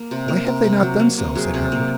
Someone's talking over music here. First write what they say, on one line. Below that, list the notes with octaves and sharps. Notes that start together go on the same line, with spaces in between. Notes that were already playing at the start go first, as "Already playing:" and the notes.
"Why have they not done so?" said Herbert.
Already playing: A#3
C3
A#3 A#4
C3
C3
F#3
A#3
C3
F#3 G#4
C3
A#3